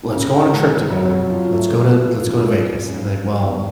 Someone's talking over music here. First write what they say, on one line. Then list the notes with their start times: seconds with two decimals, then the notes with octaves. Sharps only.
let's go on a trip together, let's go to let's go to Vegas," I'd be like, "Well,
0.13 C#3
0.33 C#3
0.53 G#3
0.71 C3
0.90 F#3
1.11 F#3
1.30 F3
1.50 A3
1.69 A3
1.88 A3
2.07 F3
2.27 F2
2.47 G#3
2.66 G#3
2.85 F#2
3.05 F#2
3.24 D#3
3.43 E2